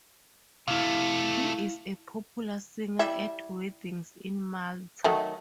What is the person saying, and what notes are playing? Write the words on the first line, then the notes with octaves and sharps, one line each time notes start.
He is a popular singer at weddings in Malta.
C3 A3 E4 F5
G3 E4 E5
D#3 F#3 A3